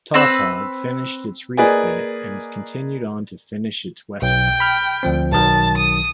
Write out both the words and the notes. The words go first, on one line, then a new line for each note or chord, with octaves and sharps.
Tautog finished its refit and continued on to finish its WestPac.
C4 B4 E6
A#3 G#4 B4 D5 D#5 G#5
B1 G5
B5 F6
D2 F3 C4
B1 D#3 F#3 A5
D#6